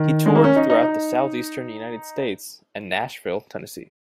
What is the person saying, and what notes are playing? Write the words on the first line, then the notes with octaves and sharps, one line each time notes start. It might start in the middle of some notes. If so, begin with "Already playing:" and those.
He toured throughout the southeastern United States and Nashville, Tennessee.
Already playing: D#3
G#3
A#3
C#4
D#4
D#4
D#4